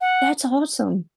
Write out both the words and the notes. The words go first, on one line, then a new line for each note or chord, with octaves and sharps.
That's awesome.
F#5